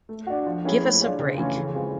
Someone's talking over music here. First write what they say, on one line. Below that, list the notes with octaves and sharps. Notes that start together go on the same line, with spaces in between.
Give us a break.
A3
D4 F#4
F3
A#3 C#4 E4 G#4
A3
D4 F4 G#4 C#5
C#3
E3 A3 C#4 F4
C#3
E3 G#3 C4 F4